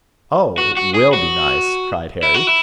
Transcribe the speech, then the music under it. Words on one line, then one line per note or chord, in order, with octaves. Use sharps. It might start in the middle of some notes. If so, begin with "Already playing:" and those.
"Oh! it will be nice!" cried Harry.
F#4
F#4
G#4
F#4
E4
F#4
E4